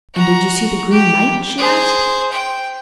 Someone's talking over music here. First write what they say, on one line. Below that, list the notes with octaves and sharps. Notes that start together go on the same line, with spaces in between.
'And did you see the Green Knight?' she asked.
F#4 A#5
G4
G#4 C5
G5